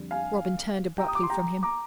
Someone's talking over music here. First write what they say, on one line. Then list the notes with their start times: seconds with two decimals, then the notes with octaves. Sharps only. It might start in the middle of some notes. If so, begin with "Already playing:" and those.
Robin turned abruptly from him.
Already playing: F2 D3 G3
0.11 F5 G#5
0.98 G5 A#5
1.08 D#6
1.15 D6
1.23 C6
1.30 G5 A#5
1.63 A#5 D6